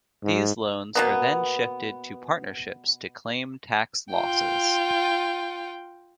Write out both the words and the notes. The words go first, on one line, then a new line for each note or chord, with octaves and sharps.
These loans are then shifted to partnerships to claim tax losses.
G#2
B2 A#3 B3
F4 G5